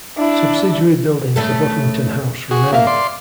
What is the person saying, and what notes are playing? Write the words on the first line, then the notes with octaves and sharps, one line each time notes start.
Subsidiary buildings of Uffington House remain.
D4 E4
C#3 A3 A4
F#4 G#4
A#3 E5 F5
D5 C6